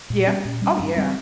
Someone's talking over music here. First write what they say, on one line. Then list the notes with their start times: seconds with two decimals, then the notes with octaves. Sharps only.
Yeah. Oh, yeah.
0.10 A#2
0.27 G3 C#4
0.45 A#2
0.62 G3 C#4
0.80 G2
0.96 G3 C4